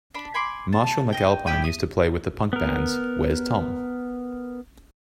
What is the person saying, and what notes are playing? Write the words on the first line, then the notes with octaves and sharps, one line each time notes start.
Marshall McAlpine used to play with the punk bands Where's Tom?
D4 B5
G#5 B5 C6 D6
A5
D#5 G5
E4 G4 G5 D#6
D#6
B3 A#4